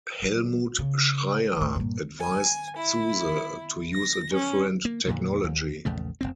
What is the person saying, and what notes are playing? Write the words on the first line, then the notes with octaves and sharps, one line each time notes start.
Helmut Schreyer advised Zuse to use a different technology.
E3 F#3
C#3
D#2 A2
G2 A#2
G#5
E4
A#6
C#4
A#3
F2 A#2 D3 D#3
D#2
A#1 E2 C#3 A3
F1 C2 C4